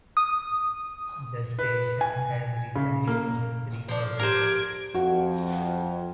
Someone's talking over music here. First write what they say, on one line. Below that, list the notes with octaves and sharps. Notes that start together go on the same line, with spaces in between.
The station has recently been refurbished.
D#6
B4
G#5
C#3
A#3
F3 D4
G4 A#4 C5 G#6 D7
F2 F3 F#4